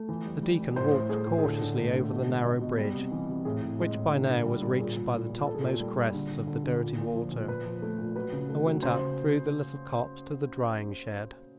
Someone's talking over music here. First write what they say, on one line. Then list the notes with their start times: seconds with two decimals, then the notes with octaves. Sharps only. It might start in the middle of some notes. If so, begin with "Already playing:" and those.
The deacon walked cautiously over the narrow bridge, which by now was reached by the topmost crests of the dirty water, and went up through the little copse to the drying-shed.
Already playing: A3
0.09 E3
0.26 G3
0.43 G3
0.60 G3
0.76 A2 C5
0.93 A2
1.09 A3 G#4
1.26 A2
1.38 G#4
1.43 D3 A4
1.60 D3
1.77 A3
1.94 D3
2.10 B2
2.28 G#3
2.44 B2
2.61 B2
2.78 G3
2.95 C3
3.12 E3
3.28 C3
3.45 A2 G#4
3.61 A2
3.79 G#3
3.95 A2
4.12 D3
4.29 D3
4.46 G3
4.62 G3
4.79 A#2 G#4
4.96 A#2
5.14 A#2
5.29 A#2
5.47 A#2 A4
5.55 G#4
5.62 A#2 A4
5.80 G3
5.97 G3
6.14 D3
6.31 D3
6.47 D3
6.64 D3
6.81 A#2
6.98 A#2
7.15 F3
7.32 A#2
7.48 A#2 B4
7.66 F3
7.82 A3
7.99 A#2
8.16 F#3 B4
8.32 C#3
8.49 A3
8.67 F#3
8.83 C#3 C5